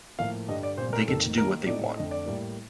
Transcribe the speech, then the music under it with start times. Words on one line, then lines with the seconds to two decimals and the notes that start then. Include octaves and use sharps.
They get to do what they want.
0.19 A2 F3 A#3 F5
0.48 G2 D3 G3 D4 D#5
0.63 D5
0.78 A#2 G3 C4 C5
0.93 A#4
1.08 F2 D#3 A#3 A4
1.37 D#3 A#3 D#4 A#4
1.67 A2 A3 C4 D#4 D5
1.96 F2 D3 A3 D#5
2.11 D5
2.26 A2 G3 A#3